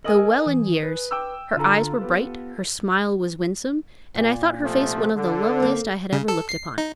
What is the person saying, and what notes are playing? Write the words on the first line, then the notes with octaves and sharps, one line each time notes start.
Though well in years, her eyes were bright; her smile was winsome, and I thought her face one of the loveliest I had ever looked upon.
A4 A#4 D#5 G#5 D#6 F#7
E3
B4
G5 D6 E6
D3 F4 A4 F5 A#5
B3 G4 B4
A#2
C3 F3 A3
D3 A4
A#3 C4
C#3
A4
C7
D#4